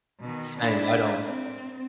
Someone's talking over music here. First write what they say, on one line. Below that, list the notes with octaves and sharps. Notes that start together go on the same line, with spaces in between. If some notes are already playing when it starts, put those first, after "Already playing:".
Saying I don't
B2 D#3
D4 E4
C4